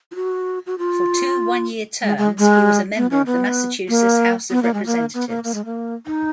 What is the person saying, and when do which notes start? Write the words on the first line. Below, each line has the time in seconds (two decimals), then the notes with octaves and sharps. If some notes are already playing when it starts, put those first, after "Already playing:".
For two one-year terms he was a member of the Massachusetts House of Representatives.
0.12 F4
0.15 F#4
0.67 F#4
0.78 F4
2.02 G#3
2.18 G#3
2.38 G#3
2.96 B3
3.11 C#4
3.27 B3
3.89 A#3
4.51 B3
4.63 A#3
4.74 G#3
4.86 A#3
5.14 B3
5.29 A#3
5.44 A#3
5.54 G#3
5.65 A#3
6.06 D#4